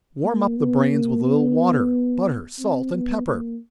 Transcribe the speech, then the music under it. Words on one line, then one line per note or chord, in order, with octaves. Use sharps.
Warm up the brains with a little water, butter, salt, and pepper.
A#3
B3
A#3
B3
C4
B3
A#3